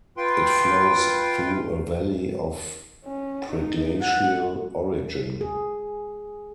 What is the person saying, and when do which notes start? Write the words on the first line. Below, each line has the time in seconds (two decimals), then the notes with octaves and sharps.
It flows through a valley of preglacial origin.
0.17 F4 B4 G5 C6
3.05 C#4
3.51 D#4
4.01 F#5
5.41 G#4